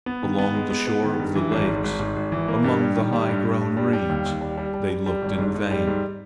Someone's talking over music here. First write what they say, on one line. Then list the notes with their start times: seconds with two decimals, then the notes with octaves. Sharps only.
Along the shore of the lakes, among the high-grown reeds, they looked in vain.
0.06 B3
0.22 D#3
0.38 B3
0.55 G#3
0.71 B3
0.87 B3
1.03 D#3
1.20 G2
1.35 E3
1.51 G#1
1.67 G#2
1.84 G#1
2.00 G#2
2.16 G#1
2.32 E3
2.48 A#3
2.64 G2
2.81 G3
2.96 D#3
3.13 G3
3.29 G2
3.45 G2
3.61 G2
3.77 G3
3.93 G3
4.09 D#2
4.26 D#2
4.41 G3
4.58 G3
4.74 G3
4.90 G3
5.06 G3
5.22 G#1
5.38 G#2
5.55 G#2
5.71 G3
5.87 G#2